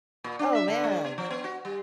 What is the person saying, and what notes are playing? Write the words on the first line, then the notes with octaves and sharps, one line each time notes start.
Oh, man.
A#2
D4
E5
D3
G#3
B3
F3
B3
F#4
G3